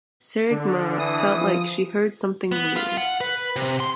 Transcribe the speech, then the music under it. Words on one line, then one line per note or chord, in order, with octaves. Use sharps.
Tseregmaa felt like she heard something weird.
D3 D4
E3 D#6
F3
B3
F4
F#5
B4
C3
C6